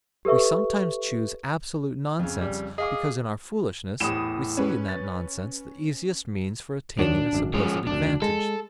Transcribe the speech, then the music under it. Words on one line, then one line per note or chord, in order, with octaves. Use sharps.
We sometimes choose absolute nonsense because in our foolishness we see in that nonsense the easiest means for attaining a supposed advantage.
G4 A4 B4 E5 C#6
F2 C#3
G3
G#4 D#5 F5 D6
E2 A2 B5 D#6 E7
C#4 B4
A6
D#2 D#3 F#3 D4
G#1 F#2
F3 G#3 C#4
F1 D2 D4
G#3 A4